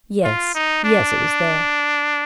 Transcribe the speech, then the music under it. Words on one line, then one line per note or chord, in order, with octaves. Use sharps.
'Yes--yes--it was there.'
F4
D#4
D4